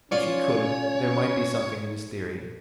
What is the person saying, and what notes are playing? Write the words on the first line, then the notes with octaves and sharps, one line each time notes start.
If he could, there might be something in his theory.
C#4 F4 C#5 D5